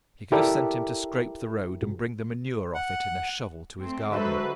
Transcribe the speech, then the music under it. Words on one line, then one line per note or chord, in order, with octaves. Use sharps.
He could have sent him to scrape the road, and bring the manure off it in a shovel to his garden.
E4 G4 A4 A#4 D5
F#5
A3 C4
D3 F#3 G#3 F#4 A4 B4 C5 E5